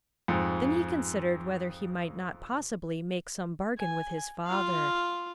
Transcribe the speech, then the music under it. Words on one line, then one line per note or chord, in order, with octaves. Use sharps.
Then he considered whether he might not possibly make some bargain with his father.
F2 G#2
G#5
F4 F5